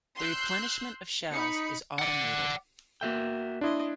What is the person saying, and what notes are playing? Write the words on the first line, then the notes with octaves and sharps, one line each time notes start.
The replenishment of shells is automated.
C6 E6 F#6 G6
D#4 B5 C#7
D5 F#5
A#3 F#4 E5 G5
D4 E4 D#5 C6